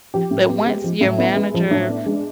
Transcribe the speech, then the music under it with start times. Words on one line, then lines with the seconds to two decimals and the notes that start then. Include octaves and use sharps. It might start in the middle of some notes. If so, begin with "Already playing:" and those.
but once your manager
0.14 F3 G4
0.31 A2
0.49 B3
0.66 G#3
0.84 F3
1.01 A2
1.18 B3 E4
1.36 G#3
1.54 F3
1.71 A2 D4
1.89 B3
2.06 G#3